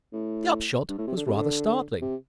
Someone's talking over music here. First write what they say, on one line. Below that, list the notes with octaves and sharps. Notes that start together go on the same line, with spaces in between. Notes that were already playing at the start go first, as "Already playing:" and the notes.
The upshot was rather startling.
A2
G2
A2
C3
D3
C3
D3
C3